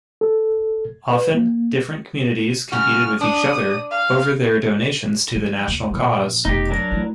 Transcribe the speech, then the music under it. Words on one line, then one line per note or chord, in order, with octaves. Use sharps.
Often, different communities competed with each other over their donations to the national cause.
A4
B4
A#3
G2 C#3 F#4 F6
D4 D#6
F5
F3
D#2
A#2 F3
F1 B2 D#4 G4
F#3 D4 A#4
A3 E4